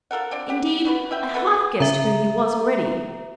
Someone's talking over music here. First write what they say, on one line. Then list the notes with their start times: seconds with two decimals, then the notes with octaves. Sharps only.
Indeed, I half guessed who he was already.
0.11 F4 A4 A#4 F#5
0.31 D3 C4 D5
0.49 G4 F#5
0.85 B3 F#4 B4
1.11 C#4 E5 G5
1.34 B3 A4 B4 F#5
1.80 C#3 E5 A#5